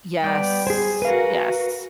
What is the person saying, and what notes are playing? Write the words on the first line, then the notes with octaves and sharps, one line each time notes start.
Yes, Yes.
G3 B3 D5 G5
G#4 C5 G#5
F#4 A#4 B4 F5